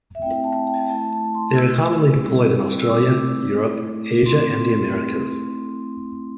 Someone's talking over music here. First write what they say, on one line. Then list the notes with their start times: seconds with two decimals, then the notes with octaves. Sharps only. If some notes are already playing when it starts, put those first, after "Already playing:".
They are commonly deployed in Australia, Europe, Asia and the Americas.
0.15 E5
0.22 A3 C4 E4 G5
0.44 A5
0.67 G5
0.89 A3 E4 A5
1.12 A5
1.35 C6
1.57 A3 E4 E6
2.23 G3 C4 E4
2.82 E6
2.91 A3 C4 E4 D6
3.58 A3 E4
4.26 A3 C4 E4 C6